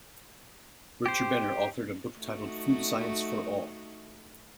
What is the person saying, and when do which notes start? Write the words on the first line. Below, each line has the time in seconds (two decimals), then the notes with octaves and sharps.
Bircher Benner authored a book titled ""Food Science for All"".
1.06 G4 C5
2.19 A3 D#4 F#4